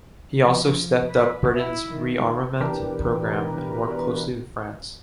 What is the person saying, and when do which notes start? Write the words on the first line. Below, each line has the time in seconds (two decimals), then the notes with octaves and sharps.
He also stepped up Britain's rearmament program, and worked closely with France.
0.42 F3
1.08 B4
1.53 E4
1.89 D#3
2.60 B2 E3 D4 G4 A#4 B4